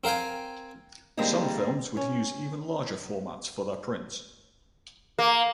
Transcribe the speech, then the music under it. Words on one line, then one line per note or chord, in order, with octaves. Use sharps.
Some films would use even larger formats for their prints.
C4 A#4 F5 G5 G#5
D3 G3 G#3 A#3 C4 D#4
C#4
A#3